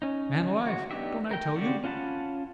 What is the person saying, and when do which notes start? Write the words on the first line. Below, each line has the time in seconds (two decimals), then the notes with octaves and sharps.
'Man alive, don't I tell you?
0.02 C#4 D#4
0.67 F#4
0.91 B3 D4 D#4 G4 E5
1.31 A#4 G5
1.55 C#3 F#4 G4 D5
1.84 C#4 F4 F#5 A5 B5